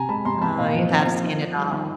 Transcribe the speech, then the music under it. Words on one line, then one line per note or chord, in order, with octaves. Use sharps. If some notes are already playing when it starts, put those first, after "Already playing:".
Oh, you have seen it all.
Already playing: C3 G#5 A#5
G#3 A5 B5
C3 A#5 C6
C3 A5 B5
A#2 D#5 F5
F3
C4
F3
D#3
D#3
G3
D#3